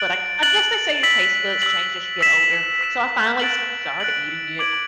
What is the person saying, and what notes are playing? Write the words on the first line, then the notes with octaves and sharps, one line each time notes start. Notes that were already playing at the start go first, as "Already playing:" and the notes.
But I g I guess they say your taste buds change as you get older, so I finally started eating it.
Already playing: F#6 A6 D7 F#7
F#6 A6 D7 F#7
E6 B6 F#7
E6 B6 F#7
E6 B6 E7
E6 B6 E7
F#6 A6 D7 F#7
F#6 A6 D7 F#7
D6 G#6 D7 F#7